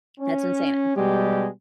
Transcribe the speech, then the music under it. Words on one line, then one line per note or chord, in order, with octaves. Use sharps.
That's insane,
C#4
B2 G3 G#3 G4